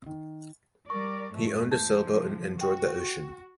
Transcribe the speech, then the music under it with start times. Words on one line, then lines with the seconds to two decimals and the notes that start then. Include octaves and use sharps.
He owned a sail boat and enjoyed the ocean.
0.06 D#3
0.90 G3 A#4 D5 C#6
1.35 F2 G#2 A3
1.71 C3 F3 A5 G6
2.61 F#4 G5 C#6